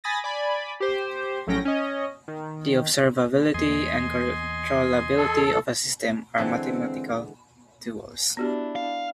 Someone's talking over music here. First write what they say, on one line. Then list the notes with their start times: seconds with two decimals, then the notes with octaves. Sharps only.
The observability and controllability of a system are mathematical duals.
0.04 G#5 B5 D#6 A6 A#6
0.24 D5 G#5 B5
0.80 G4 C5
1.47 A#1 A2 F#3 C#4 G5 A#6
1.65 C#4 D#5
2.28 D#3
3.54 E2 A#3 D#5 G#5 C6
5.17 A4
6.38 D3 E3 G#3 C4
8.37 B3 D4 E4 F#4 G4
8.76 F5